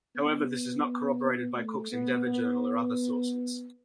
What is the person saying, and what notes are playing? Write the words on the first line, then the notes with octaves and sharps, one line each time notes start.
However this is not corroborated by Cook's "Endeavour" journal or other sources.
B3
A3
B3
B3